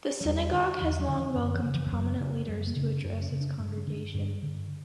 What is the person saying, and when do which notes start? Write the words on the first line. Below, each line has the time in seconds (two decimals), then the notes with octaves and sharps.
The synagogue has long welcomed prominent leaders to address its congregation.
0.21 F#3
0.25 E2 G3
0.52 D3
0.81 E2 E3
0.99 F#3
1.09 D3
1.18 E3
1.36 F#2 D3
1.55 E3
1.64 C#3
1.74 E3
1.92 F#2 F#3
2.20 C#3
2.48 F#2 G3
2.67 A#3
2.76 C#3 D4
2.85 C#4
3.04 F#2 D4
3.22 C#4
3.32 C#3
3.41 D4
3.59 G2 C#4
3.78 C#4
3.87 D3
3.97 D4
4.14 G2 D4
4.43 D3